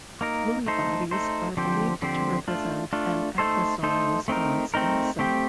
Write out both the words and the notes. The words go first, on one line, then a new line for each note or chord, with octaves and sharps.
Lewy bodies are believed to represent an aggresome response in the cell.
A#3 D#4 A#4
A3 D#4 A4 C5
A3 D#4 A4 C5
D3 F3 C4 G4 C5
D3 F3 C4 G4 C5
A3 D4 F4
A3 D4 F4
A3 D#4 A4 C5
A3 D#4 A4 C5
A3 C4 D#4 A#4
A3 C4 D#4 A#4
A3 C4 G4